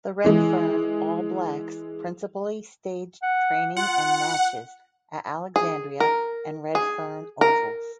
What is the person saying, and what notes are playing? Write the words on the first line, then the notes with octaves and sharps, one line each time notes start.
The Redfern All Blacks principally staged training and matches at Alexandria and Redfern Ovals.
E3 G#3
F#5
F4 F#5
G#4
A#4
G#4
A#4